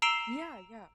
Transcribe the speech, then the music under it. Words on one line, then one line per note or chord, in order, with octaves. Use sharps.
Yeah, yeah.
A#5 E6 C7 D7 E7 G7